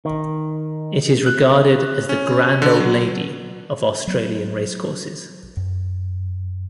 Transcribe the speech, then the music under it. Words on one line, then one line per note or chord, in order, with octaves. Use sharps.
It is regarded as the 'grand old lady' of Australian racecourses.
D#3
F#6
C#4
D3
F#3
F#3 B3
F#2